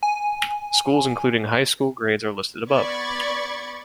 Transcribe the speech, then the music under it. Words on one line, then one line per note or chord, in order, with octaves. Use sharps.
Schools including high school grades are listed above.
G#5
B3 D5 B5 C#6 G#6 A6